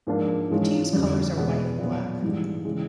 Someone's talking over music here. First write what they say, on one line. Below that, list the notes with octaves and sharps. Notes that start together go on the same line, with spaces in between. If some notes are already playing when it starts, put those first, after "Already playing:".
The team's colors are white and black.
G#2 F3 A#3 D4 F4
G#2 E3 G#3 C#4 F4
F2 D3 G3
E2 B2 G#3 B3
A#2 F#3 B3
G#2 E3 G3
C#3 E3 G#3